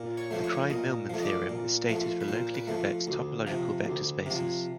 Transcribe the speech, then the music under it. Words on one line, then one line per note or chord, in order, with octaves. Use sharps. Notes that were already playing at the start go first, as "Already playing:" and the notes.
The Krein-Milman theorem is stated for locally convex topological vector spaces.
Already playing: A#2
C#5
F3 A3 C5
C#5
A#2 D#5
F3 A3
D#5
D5
A#2
F3 A3
B4
A#2 C5
B4
F3 A3
D2
C3 F3
D2
C3 F3